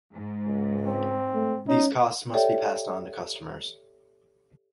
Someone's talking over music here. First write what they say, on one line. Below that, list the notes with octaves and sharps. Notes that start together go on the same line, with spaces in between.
These costs must be passed on to customers.
G#2
C#2
C4
A3
C#4 D#4
G4 A4 C#5 D5 E5 G5